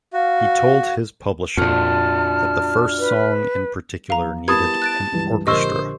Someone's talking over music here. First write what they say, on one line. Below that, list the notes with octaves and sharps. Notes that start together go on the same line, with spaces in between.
He told his publisher that the first song in particular needed an orchestra.
F#4 F5
F2 A#2 D4 F4 F#4 A5 F6
B4
F2 F5 A#5
B3 E4 G4 A#4 A5 B5 D#6 G#6
F#6 A6 D7
C#2 G2 E3
A#1 D3 G4 A#4 C5 D#5 C#6 E6